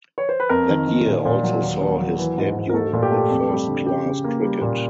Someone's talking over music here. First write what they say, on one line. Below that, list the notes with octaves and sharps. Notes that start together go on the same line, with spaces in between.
That year also saw his debut in first-class cricket.
C#5
C5
B4
F2 A#4
D#3
D#3
A#2
A#2
F#3
D#2
D#2
F#3
E3
G#2
G#2
A#4
A3 A4
A#2
G4
A3
G4
F2
G3
D3
C#3 G4
C#3
A#3
G3
A#2